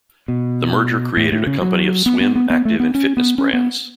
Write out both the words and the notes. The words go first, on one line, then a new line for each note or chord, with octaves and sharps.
The merger created a company of swim, active and fitness brands.
B2
A2
A2
C#3
F#3
B3
B3
B3
B3
A3
B3
C#4
B3
C#4
B3